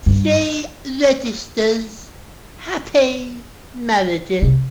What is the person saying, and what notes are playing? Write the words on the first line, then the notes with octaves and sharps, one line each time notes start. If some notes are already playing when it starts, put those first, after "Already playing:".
She registers happy marriages.
G2
C3